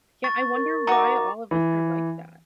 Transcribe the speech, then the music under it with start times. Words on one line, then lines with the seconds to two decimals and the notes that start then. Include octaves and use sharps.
Yeah, I wonder why all of us are like that.
0.24 C#6 A6
0.55 A#4
0.87 D#4 F#4 A#5 D6
1.51 E3